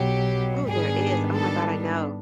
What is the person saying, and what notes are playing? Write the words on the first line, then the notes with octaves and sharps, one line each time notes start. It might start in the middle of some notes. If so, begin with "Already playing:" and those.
Oh, there is oh my god, I know.
Already playing: B1 B2 F#3 G4
G#2 D#3 G3 B3 D4 G#4
A4